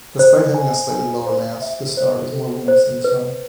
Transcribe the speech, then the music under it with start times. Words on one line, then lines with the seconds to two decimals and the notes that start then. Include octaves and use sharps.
Despite having a slightly lower mass, this star is more luminous than the Sun.
0.19 C5
0.54 G#5
0.90 G#5
1.26 C5
1.62 E5
1.97 C5
2.32 A4
2.68 C5
3.04 B4